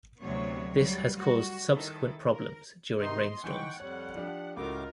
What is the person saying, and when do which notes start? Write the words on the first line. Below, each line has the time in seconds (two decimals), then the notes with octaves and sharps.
This has caused subsequent problems during rainstorms.
0.20 D2 C3 F#3 B3 C#5
0.75 F#3 G3
1.17 G3 F#4
1.71 D#3 E4 A4
2.32 A#4
2.97 C3 D#3 D#4 D#5 C6
3.44 E3 D#4 F#5 G5 C#6
3.80 F2 G3 C#5
4.15 F3 D4 G4
4.57 C#2 A2 A3 F4 F#4 A#4 D#5 D6